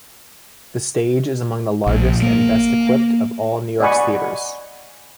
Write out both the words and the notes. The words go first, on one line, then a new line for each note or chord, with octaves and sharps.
The stage is among the largest and best-equipped of all of New York's theaters.
A#1
A#3
D5 D#5 F#5 G#5 B5 C#6